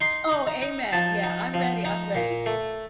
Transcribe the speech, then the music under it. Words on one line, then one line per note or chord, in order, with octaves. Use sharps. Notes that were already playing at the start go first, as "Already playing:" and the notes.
Oh, amen. Yeah. I'm ready. I'm ready.
D#4 C6
D#4
A#5
D#4
F3 A5
D#4
F3
D#4 A#5
A#2
A3